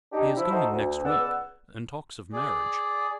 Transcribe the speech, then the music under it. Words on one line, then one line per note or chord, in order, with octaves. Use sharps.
"He is going next week, and talks of marriage."
D4 D#4 G4
F3 E4
D#4 F#4 A4 C5 E5
D2
C#2 B3 D5 F#5 E6
G#4 D5